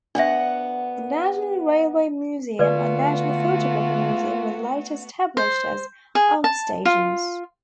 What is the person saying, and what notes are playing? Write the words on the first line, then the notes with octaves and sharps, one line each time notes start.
The National Railway Museum and National Photography Museum were later established as "outstations".
D2 B3 D4 E5 F#5
D3 A3 B3 F4 F#4 B4 D5
C5
G#4
A5
F4